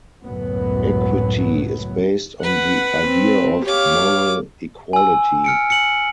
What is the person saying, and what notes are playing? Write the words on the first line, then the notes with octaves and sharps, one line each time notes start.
Equity is based on the idea of moral equality.
C#2 F#2 A2 F#3 B3
B4 F#5
C4
G4 C#5 F5 D6
G#5 E6
F6 C#7 D7
C#7 F#7